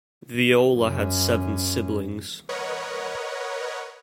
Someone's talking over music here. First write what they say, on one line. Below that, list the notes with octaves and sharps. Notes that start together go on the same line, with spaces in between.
Viola had seven siblings.
F#2 C#4
A#4 B4 C#5 D#5 F#5